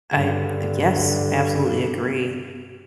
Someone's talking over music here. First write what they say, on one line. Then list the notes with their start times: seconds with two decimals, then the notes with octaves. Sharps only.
I, uh, yes. Absolutely, I agree,
0.13 G2 D3